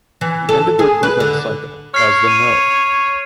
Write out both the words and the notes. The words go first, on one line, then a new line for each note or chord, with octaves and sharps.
He ended the recruitment cycle as the no.
E3
A4
G#4
B4
D3
C#5 F6 C7
D#7 F7